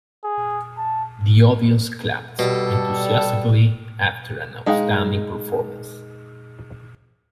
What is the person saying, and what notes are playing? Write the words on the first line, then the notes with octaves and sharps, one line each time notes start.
The audience clapped enthusiastically after an outstanding performance.
G#4
A5
B2 G3 A4
G#3 D#4 G#4 F5 G5